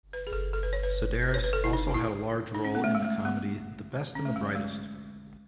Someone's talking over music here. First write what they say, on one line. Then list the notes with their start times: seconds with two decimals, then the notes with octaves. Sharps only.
Sedaris also had a large role in the comedy "The Best and the Brightest".
0.13 B4
0.27 G#4
0.33 A4
0.53 A4
0.63 B4
0.73 C#5
0.83 B4
1.28 B4
1.34 C#5
1.44 B4
1.53 A4
1.64 E4
1.73 D#4
1.94 E4
2.55 D#4
2.65 C#4
2.75 B3
2.84 A3
2.95 G#3
3.05 A3
3.25 B3
4.15 C#4
4.25 A3
4.36 G#3
4.45 F#3
4.55 G#3